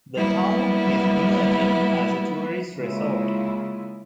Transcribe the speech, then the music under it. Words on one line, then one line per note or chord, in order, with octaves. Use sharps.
The town is emerging as a tourist resort.
F#3 G3 A#3 B3 E4
C#3 G#3 A#3 E4 F4